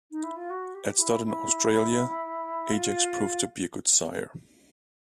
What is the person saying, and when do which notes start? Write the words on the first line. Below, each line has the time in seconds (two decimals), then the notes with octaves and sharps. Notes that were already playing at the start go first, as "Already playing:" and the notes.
At stud in Australia, Ajax proved to be a good sire.
0.11 D#4
0.23 E4
0.36 F4
0.50 F#4
0.74 G4
0.99 E4
1.24 E4
2.72 F4